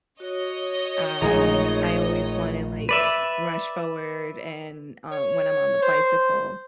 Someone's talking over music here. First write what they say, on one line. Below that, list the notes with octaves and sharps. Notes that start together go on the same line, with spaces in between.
um, I always want to like, rush forward, and, uh, when I'm on the bicycle,
F#4 C#5 D#5
A#1 G#3 A3 D#4 G#4 A#5
B4 D5 E5
C#5
C5